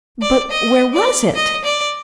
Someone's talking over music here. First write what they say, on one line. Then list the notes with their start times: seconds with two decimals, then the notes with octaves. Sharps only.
But where was it?
0.22 D5
0.51 D#5
0.93 D5
1.35 D#5
1.64 D5